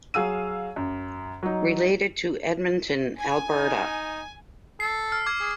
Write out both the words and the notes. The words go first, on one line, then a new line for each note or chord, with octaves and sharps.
Related to Edmonton, Alberta.
F#3 G#4 F5 E6 D#7
F#2
F#3 D#4
G#5
D#4
A4 C7
F6
D6 F6 G#6
G#4